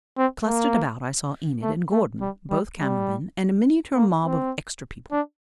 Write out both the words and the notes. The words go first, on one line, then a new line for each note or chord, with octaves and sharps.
Clustered about I saw Enid and Gordon, both camera men, and a miniature mob of extra people.
C4
A#3
A3
A3
G3
G3
G3
A#3
C4
D4